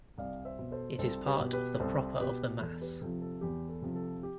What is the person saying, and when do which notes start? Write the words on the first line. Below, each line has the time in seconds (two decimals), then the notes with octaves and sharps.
It is part of the Proper of the Mass.
0.18 C2 D5 F5
0.45 C5 E5
0.59 B2
0.72 A4 C5
0.98 C2 A4 C5
1.26 G4 B4
1.40 B2
1.53 G4 B4
1.80 C2 A4 C5
2.20 B2 G4 B4
2.61 E2 A4
2.81 G4 B4
3.01 C3 F3 A4
3.22 A4
3.41 E2 G4
3.69 A4
3.82 C3 F3
3.95 A4
4.23 G4